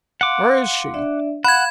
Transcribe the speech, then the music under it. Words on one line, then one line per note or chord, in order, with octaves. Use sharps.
"Where is she?"
F5 F#5 C6 D6
D4 D5 E5
F5 F#5 B5 G#6